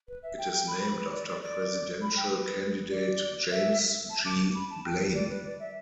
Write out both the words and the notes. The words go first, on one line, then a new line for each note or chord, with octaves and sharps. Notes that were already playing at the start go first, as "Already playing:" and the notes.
It is named after presidential candidate James G. Blaine.
B4
E5
G5
G5
B5
B5
B4
D5
D5
D5
B5
G5
B4
D5
E5
A5
D6
D6
B5
A5
G5
D5
B4
D5
E5